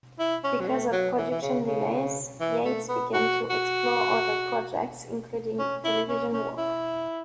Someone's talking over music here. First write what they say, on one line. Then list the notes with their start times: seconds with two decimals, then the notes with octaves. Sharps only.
Because of production delays, Yates began to explore other projects including television work.
0.19 E4
0.44 C#4
0.61 F#3
0.68 A3
0.92 F#3
1.18 E3
1.31 E3
1.42 C#3
1.66 C#3
2.41 E3
2.65 A3
2.89 B3
3.14 F#4
3.50 F#4
5.59 C#4
5.84 E4
6.09 C#4
6.33 C#4
6.58 E4